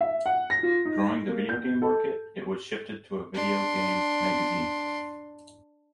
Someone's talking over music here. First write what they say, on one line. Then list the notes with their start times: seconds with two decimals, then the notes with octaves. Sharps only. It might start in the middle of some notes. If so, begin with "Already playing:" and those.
Growing the video game market, it was shifted to a video game magazine.
0.01 E5
0.26 F#5
0.50 A#6
0.63 F4
0.85 D#4
1.29 A#3
1.49 G6
1.82 A4
3.34 D4 C6